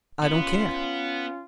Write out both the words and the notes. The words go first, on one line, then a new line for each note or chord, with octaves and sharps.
I don't care!
B3 C#4 F4